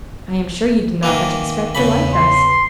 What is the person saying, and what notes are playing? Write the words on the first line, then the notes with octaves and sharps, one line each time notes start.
I am sure you did not much expect to like us.
D#3 E3 A#3
E2 C#3 B5
C6